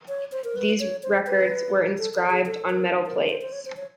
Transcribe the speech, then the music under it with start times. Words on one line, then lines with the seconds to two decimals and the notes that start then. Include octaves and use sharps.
These records were inscribed on metal plates.
0.08 C#5
0.32 C5
0.44 A#4
0.56 B4
0.80 C#5
1.03 C5
1.27 B4
1.98 A4
2.14 A4
2.30 G#4
2.46 A4
2.70 A#4
3.06 A#4
3.29 C5
3.41 C5
3.52 C#5
3.65 C5
3.77 C#5